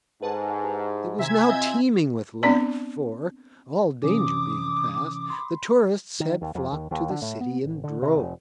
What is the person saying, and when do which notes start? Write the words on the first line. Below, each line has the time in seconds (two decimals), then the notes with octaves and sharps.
It was now teeming with life, for, all danger being past, the tourists had flocked to the city in droves.
0.22 G#2 A4 B4 F#5 G#5 A5
0.63 E4 G4 A#5
1.19 C3 C5 E5 G#5 A#5 G#6
1.49 C4 F4 D#5
2.43 B3 C4 D4 D5 A5
4.03 C3 E3 C#4 D6 D#6
5.30 B5 C6
6.20 D#3
6.41 D#2
6.55 F2
6.72 D#2
6.91 D#2
7.10 D3
7.22 A2
7.41 B3
7.64 A1
7.84 D3
8.02 C3
8.17 F1